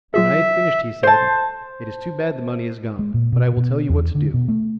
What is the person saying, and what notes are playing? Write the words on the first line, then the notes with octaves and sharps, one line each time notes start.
When I had finished he said: 'It is too bad the money is gone, but I will tell you what to do.
F#3 F4 G#4 E5
C5 A5
G#3
A#2
B2
B2
E2
D3
B2
A3